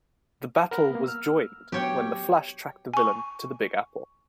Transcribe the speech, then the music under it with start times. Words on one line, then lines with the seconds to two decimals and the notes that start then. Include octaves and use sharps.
The battle was joined when the Flash tracked the villain to the Big Apple.
0.71 A#4 F#5 B5
0.91 A#3 B3
1.04 E6 F6
1.72 F#3 B3 G4 C#5 G5
2.94 G#5 C#6